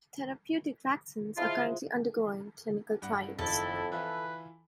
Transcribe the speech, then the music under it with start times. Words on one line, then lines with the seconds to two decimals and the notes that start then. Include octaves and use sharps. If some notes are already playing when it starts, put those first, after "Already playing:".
Therapeutic vaccines are currently undergoing clinical trials.
1.37 F3 G#3 E4 F4
3.02 G2 F#5
3.39 F#1 F2 D#3 C4 E4 A4
3.92 E3 E4 F4 B4